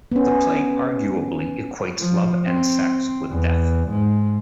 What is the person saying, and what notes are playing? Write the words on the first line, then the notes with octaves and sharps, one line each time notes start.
The play arguably equates love and sex with death.
B3 C#4
F3
C4
E2
G#2